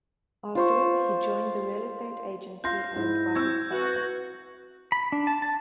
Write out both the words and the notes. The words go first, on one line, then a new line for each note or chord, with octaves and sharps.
Afterwards, he joined the real-estate agency owned by his father.
F4 C5 C#6
F4 F5 C6 G6 A#6
G#2 E4
C4 C#6 E6 G6 G#6
F#4 B4
B5
D4
A5
A5